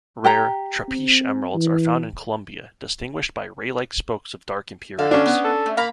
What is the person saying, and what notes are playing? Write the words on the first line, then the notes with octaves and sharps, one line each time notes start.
Rare "trapiche" emeralds are found in Colombia, distinguished by ray-like spokes of dark impurities.
G4 G5 A#5
C4
E3
D3 A4 F5
C#4 D4
B3
A4
A3
A#3 F5 A#5 B5